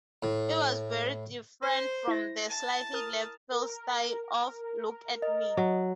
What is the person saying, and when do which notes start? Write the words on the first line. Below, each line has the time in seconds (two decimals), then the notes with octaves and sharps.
It was very different from the slightly leftfield style of 'Look at Me'.
0.23 A2
1.62 C5
2.08 E4 A#6
2.49 A5
2.93 A#4 D#6 F6
3.51 A#4
5.22 D#5
5.57 F#3